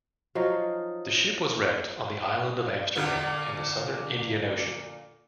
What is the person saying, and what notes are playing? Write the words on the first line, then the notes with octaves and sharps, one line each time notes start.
The ship was wrecked on the Island of Amsterdam in the southern Indian Ocean.
F3 F#3 D#4 F4
A#2 D3 A#3